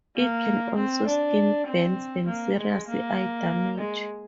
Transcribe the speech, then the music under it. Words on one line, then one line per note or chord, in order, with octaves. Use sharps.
It can also skin burns and serious eye damage.
A#3
C4
D4
C4
A#3
G#3
A#3
G#3